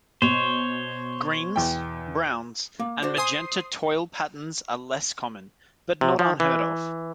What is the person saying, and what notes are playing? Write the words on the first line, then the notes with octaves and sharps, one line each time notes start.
Greens, browns, and magenta toile patterns are less common, but not unheard of.
B2 C5 C#5
E2 G5
A#3
D4 F#4 C5
C5 G#5 C6 D#6 C7
C3
F3
E3